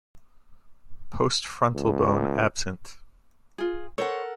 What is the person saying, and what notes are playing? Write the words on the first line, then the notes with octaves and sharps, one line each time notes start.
Postfrontal bone absent.
C#2
F4 G#4
A4 A#4 C5 C#5 F#5